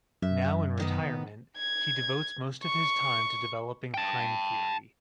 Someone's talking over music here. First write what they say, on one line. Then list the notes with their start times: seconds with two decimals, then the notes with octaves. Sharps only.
Now in retirement, he devotes most of his time to developing Heim Theory.
0.22 F#2 E5
0.77 C3 D#3 B3
1.58 G#6
2.64 C#6
3.94 G5 A5